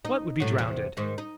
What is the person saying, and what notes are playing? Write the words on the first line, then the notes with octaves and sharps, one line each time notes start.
"What would be drownded?"
D#4
A2 F#3
E2 C3
G#2 D#3
D#4